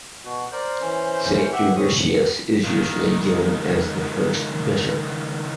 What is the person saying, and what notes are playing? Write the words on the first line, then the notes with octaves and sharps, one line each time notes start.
Saint Dubricius is usually given as the first bishop.
B2 F#4
A#4 C5 D5
E3 C#4
G4 E5 F#5
C4 C#4 D#6
C#2 D#3